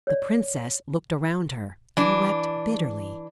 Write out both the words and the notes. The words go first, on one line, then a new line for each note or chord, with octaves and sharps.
The princess looked around her, and wept bitterly.
C#5 D5
E3 D4